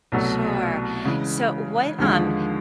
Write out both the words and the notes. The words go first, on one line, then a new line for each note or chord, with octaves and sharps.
Sure. So what um,
C2 B2 F#3 A3
C#3 E3 G#3
D#2 D3 F3 G#3